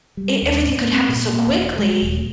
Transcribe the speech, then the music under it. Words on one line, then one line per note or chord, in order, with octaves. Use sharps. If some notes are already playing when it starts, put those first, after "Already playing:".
E everything could happen so quickly
G3
D#2
A2
A#3
C4
A#2
A#3
E1
G#3
D#1
A3